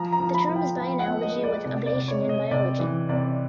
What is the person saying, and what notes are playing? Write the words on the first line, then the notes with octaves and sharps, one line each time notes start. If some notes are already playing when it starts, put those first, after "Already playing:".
The term is by analogy with ablation in biology.
Already playing: F3 A#5
A#5
F3
B5
F3
G5
F3
F#5
B3
D#5
G#3
D5
C3 D5
D5
C3
C#5
C3
D#5
C3 D5
E3
C3 D5